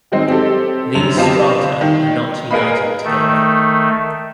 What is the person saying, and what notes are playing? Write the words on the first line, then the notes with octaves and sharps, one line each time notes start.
These strata are not united together.
D#3 F#3 G#3 C4 D#4
C4 G4 A4
F#2 F#3 F7
B3 C4 F4 G4 D#5 A5
D#3
G#4 A#4 B4 D#5 F5 B5
D#3 A3